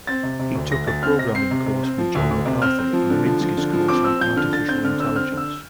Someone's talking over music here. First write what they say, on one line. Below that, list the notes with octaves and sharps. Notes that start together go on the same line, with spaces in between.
He took a programming course with John McCarthy, and Minsky's course on artificial intelligence.
C4 A6
C3
C3
D2
D2 A#6
D2 A6
C4 F6
C3 A#6
C4 C7
C3
C3
C4
F3
D2
D2
C3
C4 F6
C4
F3
D3
F3
F3
D3
F3
C4 D6
C4 E6
F3 G6
D3 F6
D3 A6
C4 G6
D3 F6
C4 E6
C4 F6
D3
E6